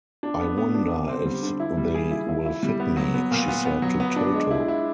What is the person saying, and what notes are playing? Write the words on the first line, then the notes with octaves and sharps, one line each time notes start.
"I wonder if they will fit me," she said to Toto.
D4
B3
B3
D4
D3
C4
G3
D3
E4
G3
G#4
E4
E4
E4
G3
B3
F#3
B3
A#2
B3
B3
F#3
B3
D4
G#3
E4
E4